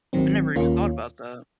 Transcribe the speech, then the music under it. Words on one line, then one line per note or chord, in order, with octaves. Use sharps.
I never even thought about that.
G#1 G#2 D#3 F#3 C4
D#2 D#3 A#3 C#4 F4